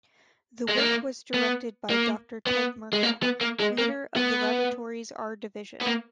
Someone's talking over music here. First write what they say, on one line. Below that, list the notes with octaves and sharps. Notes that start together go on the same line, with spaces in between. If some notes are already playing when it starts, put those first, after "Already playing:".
The work was directed by Doctor Ted Merkle, leader of the laboratory's R-Division.
G#3
A#3
B3
A#3
B3
G#3
A#3
B3
A#3
G#3
A#3
B3
B3
A#3